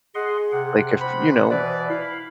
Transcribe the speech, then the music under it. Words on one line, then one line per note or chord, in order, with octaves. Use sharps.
Like, if you know,
G#4 D#5 F#5 C6
C3 F#5
C5 B5
B2 E3 B4 D5
E4 F5 B5